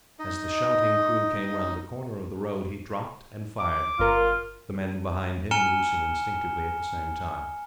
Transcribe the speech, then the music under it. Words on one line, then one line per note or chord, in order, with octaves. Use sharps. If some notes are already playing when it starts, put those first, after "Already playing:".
As the shouting crew came round a corner of the road, he dropped and fired; the men behind him loosing instinctively at the same time.
D#4 D#5
D6
G1 F4 A#4
G#5 A#5 F6 C#7 E7 G7